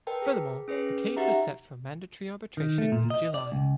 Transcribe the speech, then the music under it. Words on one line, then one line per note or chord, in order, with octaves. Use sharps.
Furthermore, the case was set for mandatory arbitration in July.
A#4 B4 G5 A5
G#4 B6
C#4 G#4 B4 C#5 C7
D#4 F#4 G4 E5 F#5 A#5
D#3
A3
A#2
D#5
D5
C#2